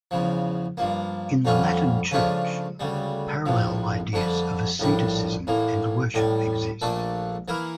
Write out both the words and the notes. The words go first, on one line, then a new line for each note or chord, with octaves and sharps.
In the Latin Church, parallel ideas of asceticism and worship exist.
E2 C#3 F3
G2 F3 A#3
F2 D3 G3 C#4 F4
C#3 F3 A3 D4 F4
D2 C#3 G3
A#1 A2 F3
F2 D3 G3 D4
A#1 A2 G3 D4
A2 E3 A#3
A1 A2 G3
A#1 A#2 A3 D4 A4
E3 A#3 E4 A#4